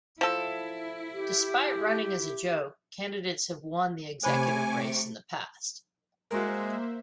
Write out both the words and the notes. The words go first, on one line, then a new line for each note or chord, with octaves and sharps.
Despite running as a joke, candidates have won the executive race in the past.
F3 E4 A4
G4
C3 A3 C5 C#5 G#5 B5 C#6 D6
G#3 A#3 F#4 A#4 C5 E5